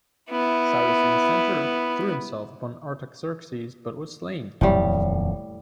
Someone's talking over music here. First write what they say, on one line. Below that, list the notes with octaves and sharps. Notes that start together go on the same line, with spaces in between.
Cyrus in the centre threw himself upon Artaxerxes but was slain.
B3 E4
D#1 F2 A2 F#3 G3